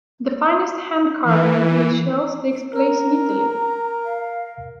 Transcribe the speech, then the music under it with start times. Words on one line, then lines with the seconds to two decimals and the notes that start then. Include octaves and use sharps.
The finest hand-carving of these shells takes place in Italy.
1.24 E3
2.74 A#4 A#5
4.05 F5